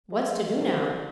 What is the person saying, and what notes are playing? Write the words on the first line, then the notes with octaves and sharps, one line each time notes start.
"What's to do now?"
G#3
C2